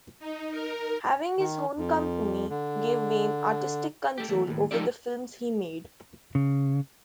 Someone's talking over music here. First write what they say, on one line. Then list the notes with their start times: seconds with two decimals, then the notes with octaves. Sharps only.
Having his own company gave Wayne artistic control over the films he made.
0.19 D#4
0.51 A#4
1.39 D#3
1.77 F2
2.50 D3
4.18 A3 G4
4.29 E2 G2 A3
4.47 D#2 A2
4.71 F3 D#4 F4 G4 A4 D5
6.35 C#3